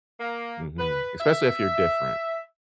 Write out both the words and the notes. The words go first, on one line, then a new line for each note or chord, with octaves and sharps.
Mhm. Especially if you're different.
A#3
B4
E5